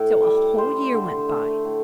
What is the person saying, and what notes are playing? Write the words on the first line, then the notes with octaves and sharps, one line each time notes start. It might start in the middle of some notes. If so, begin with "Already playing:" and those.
So a whole year went by.
Already playing: A2 A4
G3
G3 C5
D3
A3
A2